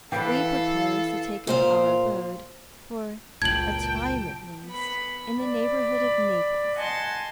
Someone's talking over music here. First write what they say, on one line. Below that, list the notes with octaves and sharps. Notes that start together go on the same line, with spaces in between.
We propose to take up our abode, for a time at least, in the neighborhood of Naples.
E3 A4 B4 F5 G5
A#2 C5 F5
F#1 C#2 A#2 G5 A5 G#6 F#7
B3 B5
D5 B5
D#5 F#5 G#5 A5 C6